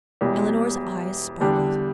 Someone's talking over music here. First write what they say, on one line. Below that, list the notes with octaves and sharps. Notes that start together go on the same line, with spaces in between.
Eleanor's eyes sparkled.
E1 E2 B2 G3
E2 D3 G3 D4